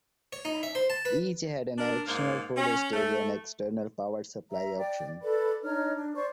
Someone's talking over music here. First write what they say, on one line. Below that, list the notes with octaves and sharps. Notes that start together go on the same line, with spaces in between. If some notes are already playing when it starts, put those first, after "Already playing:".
Each had an optional phono stage and external power supply option.
C#5
D#4
E5
C5
A5
B4
D4 A#4
G#2 A#3
C#4
A3
E5 A#5
D5 G5
A4 B4 D5 B5
D4 D#4 C#5 F6
D4
C5 D5 C#6